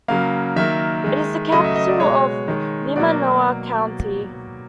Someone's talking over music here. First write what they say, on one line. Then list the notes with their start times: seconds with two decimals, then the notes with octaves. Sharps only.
It is the capital of Limanowa County.
0.08 C#3 F#3 A#3 F5
0.56 D#3 F#3 A#3 E5
1.04 D#3 G#3
1.52 C#3 F#3 A3 D#5
1.64 E5
1.76 D#5
1.88 D5
2.00 B2 G#3 C#5
2.48 D#3 G#3
2.96 B2 F#3 A#3 D5